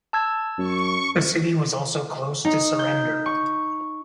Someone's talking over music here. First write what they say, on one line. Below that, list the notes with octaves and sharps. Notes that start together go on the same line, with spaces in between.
The city was also close to surrender.
A5 E6 G#6
F#2 C#6
D#4
G6
C#6